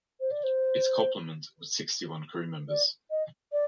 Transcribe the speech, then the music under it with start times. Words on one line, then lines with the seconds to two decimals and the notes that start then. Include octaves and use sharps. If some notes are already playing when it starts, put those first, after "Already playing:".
Its complement was sixty-one crew members.
0.20 C5
0.31 D5
0.44 C5
2.69 D5
3.11 D#5
3.52 D5